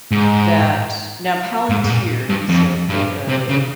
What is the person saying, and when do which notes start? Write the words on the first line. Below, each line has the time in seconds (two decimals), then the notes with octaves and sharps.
that now, Palantir, you said that, uh
0.11 G#2
1.69 G#2
1.84 G#2
1.90 A#2
2.29 G2
2.49 F2
2.89 G2
3.28 C3
3.49 C#3